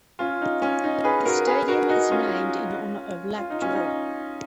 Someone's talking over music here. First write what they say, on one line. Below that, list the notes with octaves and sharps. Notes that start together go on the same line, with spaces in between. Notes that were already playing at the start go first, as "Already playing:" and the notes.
The stadium is named in honour of Lat Jor.
C#4 F4
D#4
C#4
D#4
G#4 B4
F#4 A#4
G#4 B4
F#4 A#4
D#4 F#4
C#4 F4
F4
D#4
C#4
D#4